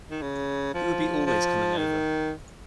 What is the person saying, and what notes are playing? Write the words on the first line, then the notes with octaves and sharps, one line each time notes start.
He would be always coming over.
D#3
C#3
F3
F3
D#3